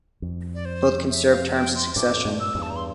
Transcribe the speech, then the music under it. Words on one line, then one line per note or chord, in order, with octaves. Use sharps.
Both can serve terms in succession.
F2
D5
C5
E5
F5
G5
C6
F2 A2 D6
G2 A#2
E6
E2 G2
A5
A#5
C6